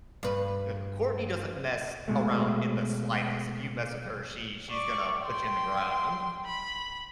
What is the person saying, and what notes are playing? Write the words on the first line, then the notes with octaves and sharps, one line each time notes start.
Uh, Courtney doesn't mess around in the slightest. If you mess with her, she she's gonna put you in the ground.
G2 B4
B2 G#3 A3
D5 C#6
G5 C6
B5